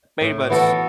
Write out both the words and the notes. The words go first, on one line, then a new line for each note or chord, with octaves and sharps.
pretty much
A2
E3 B3 F#4 A4